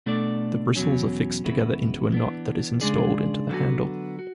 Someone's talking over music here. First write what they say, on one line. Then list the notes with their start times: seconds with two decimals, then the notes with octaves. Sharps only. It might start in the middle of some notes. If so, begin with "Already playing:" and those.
The bristles are fixed together into a knot that is installed into the handle.
0.06 B2 A3 D4 A4 D5
0.76 E2 B2 F#3 C#4
1.44 E2 C#3 G#3 B3 E4
2.12 E3 B3 D4
2.81 C#3 G#3 D4 G#4 D5
3.49 D3 F#3 B3 F#4
4.19 F#4